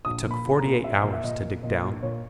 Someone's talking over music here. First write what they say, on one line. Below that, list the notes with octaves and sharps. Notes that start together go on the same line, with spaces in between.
It took forty-eight hours to dig down.
A#1 D#6
A#2
B5
A#1
A#5
A#2
A#1 E5
A#2
E5
A#2 D#5
A#2
A#2 D#5
A#1
A#2 C#5